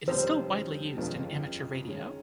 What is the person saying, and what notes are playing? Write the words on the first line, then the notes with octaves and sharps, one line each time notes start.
It is still widely used in amateur radio.
F1 F2 D#3 G3 C#4 C5
G1 F2 C#3 F3
D#3 G#3 C#4